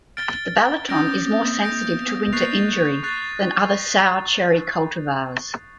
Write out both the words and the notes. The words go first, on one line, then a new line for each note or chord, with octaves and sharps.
The Balaton is more sensitive to winter injury than other sour cherry cultivars.
F6 A6 D7 G7
C#4 D#6 G6 A#6 D7
C#4
C4
A#3
A#3 D#6 G6 A#6 D7
B3
B3
A#3 C#6 F#6 A6 C7 F7
C#6 F#6 A6 C7 F7